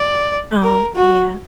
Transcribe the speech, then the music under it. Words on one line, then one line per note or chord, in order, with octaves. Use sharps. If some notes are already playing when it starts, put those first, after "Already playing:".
Oh, yeah.
Already playing: D5
A#4
F#4